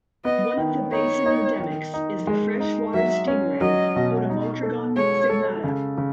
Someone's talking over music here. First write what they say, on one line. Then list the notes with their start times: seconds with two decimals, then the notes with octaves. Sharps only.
One of the basin endemics is the freshwater stingray "Potamotrygon signata".
0.25 B3 D#5
0.58 D#3
0.92 D#4 C#5
1.26 D#4
1.60 D#3
1.94 D#4
2.27 G#3
2.60 D#4
2.94 F#3 E5
3.28 C#4
3.61 F#3 D#5
3.96 B2
4.30 D#4
4.63 A4
4.96 G#3 C#5
5.30 A4
5.64 C#3
5.98 C#3